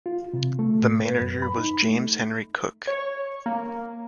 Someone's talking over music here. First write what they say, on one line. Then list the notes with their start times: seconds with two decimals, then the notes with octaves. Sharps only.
The manager was James Henry Cook.
0.06 F4
0.33 C3
0.59 A3
0.82 A2
1.05 B4
1.20 F#2
1.42 B5
1.57 D#4
1.83 A3
2.87 C#5
3.46 A#3